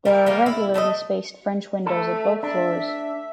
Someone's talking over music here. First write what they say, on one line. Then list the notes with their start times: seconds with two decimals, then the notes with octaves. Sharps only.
There are regularly spaced French windows at both floors.
0.05 G3 A#3 E4
0.26 G3 G#3 A#3
0.46 E4
0.74 A3 A4 B4 D#5
1.86 A3 A4
2.43 D4 E5